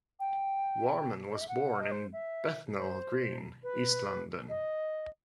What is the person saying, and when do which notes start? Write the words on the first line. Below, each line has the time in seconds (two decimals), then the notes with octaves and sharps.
Warman was born in Bethnal Green, East London.
0.20 G5
1.27 C5
1.34 D#5
1.41 E5
1.48 F#5
1.79 D#5
1.91 C5
2.13 E5
2.77 C5
3.63 B4
4.49 D#5